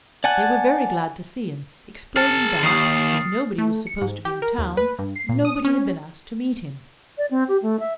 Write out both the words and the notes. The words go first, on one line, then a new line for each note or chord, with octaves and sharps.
They were very glad to see him, explaining that, as nobody was supposed to be in town, nobody had been asked to meet him.
D5 F#5 G#5 A5 F#6
G#4 A5 F6 A6 C#7
D#2 D#6 C7
A3
C#7
G#2
G4
A#4
D#2
B4
G2
C7
A#2
D#6
C#4
D5
C4
G4
A3
E5